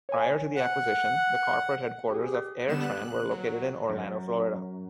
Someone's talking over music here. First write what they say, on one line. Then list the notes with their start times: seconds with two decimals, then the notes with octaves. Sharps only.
Prior to the acquisition, the corporate headquarters of AirTran were located in Orlando, Florida.
0.09 C#5 G#5
0.56 F#5
0.98 F#6
2.10 G4 G#4
2.67 D3 G3 B3 E7
2.83 F#6
3.31 F#3
3.90 F#2